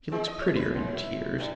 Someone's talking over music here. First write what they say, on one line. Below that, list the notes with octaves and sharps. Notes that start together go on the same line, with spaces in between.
She looks prettier in tears.'
G#3
D#5
C#5
B4
F#2
E4
G2